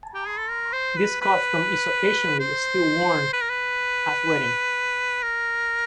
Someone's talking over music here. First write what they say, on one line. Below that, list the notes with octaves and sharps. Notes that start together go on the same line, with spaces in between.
This costume is occasionally still worn at weddings.
G4
G#4
A4
A#4
C5
B4
B4
C5
B4
A#4
B4
A#4